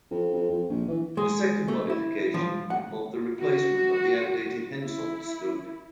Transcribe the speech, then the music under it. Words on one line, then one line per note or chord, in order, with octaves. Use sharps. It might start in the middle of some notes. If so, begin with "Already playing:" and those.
The second modification involved the replacement of the outdated Hensoldt scope.
F2
F2
F2
A#1
E3
G#3
A3
E4
F3
F#5
F#4
E4